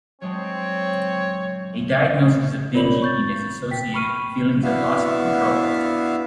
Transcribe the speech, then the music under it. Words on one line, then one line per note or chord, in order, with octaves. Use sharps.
A diagnosis of binge eating is associated with feelings of loss of control.
F#3 G#3 C4 D4 C#5
F4 A#4 C#5 D5 B5 F#7
C#6 G6 A6
G5 B6
B5 C#6 F6 D#7
B3 D4 E4 F#4 E5 F5